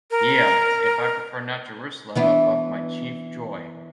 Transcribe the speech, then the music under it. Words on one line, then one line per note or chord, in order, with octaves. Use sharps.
Yea, if I prefer not Jerusalem above my chief joy.
A#4
E3 B3 D4